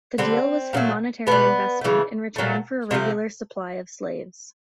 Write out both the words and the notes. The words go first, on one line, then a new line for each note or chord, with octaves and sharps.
The deal was for monetary investment in return for a regular supply of slaves.
D3 G3 C4
A#2 F#3 A3
B2 G3 B3
C#3 E3 A3
A#2 F#3 A3
C3 F3 A3